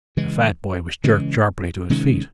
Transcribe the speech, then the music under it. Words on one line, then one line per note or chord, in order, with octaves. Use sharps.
The fat boy was jerked sharply to his feet.
C#3 E3 G#3
C#3 E3 G#3
C3 D#3 G#3 C#4